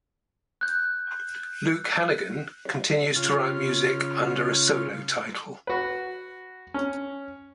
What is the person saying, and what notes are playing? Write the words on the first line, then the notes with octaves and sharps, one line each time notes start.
Luke Hannigan continues to write music under a solo title.
F#6 G6
C#3 F4
F#4 B4
C#4